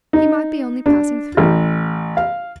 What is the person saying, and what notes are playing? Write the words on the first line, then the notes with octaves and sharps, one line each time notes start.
He might be only passing through.
D#4
D4
A1
F5